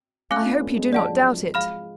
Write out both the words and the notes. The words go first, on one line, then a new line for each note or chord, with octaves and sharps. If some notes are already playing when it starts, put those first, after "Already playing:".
"I hope you do not doubt it."
A3 C#4 F5 G#5 D6 F#6
F4
B3 D4
A3 C#4
G#3 B3
F3 D5 F#5 A5
F#3
F3 G#3
F3 G#3 F5 B5 F6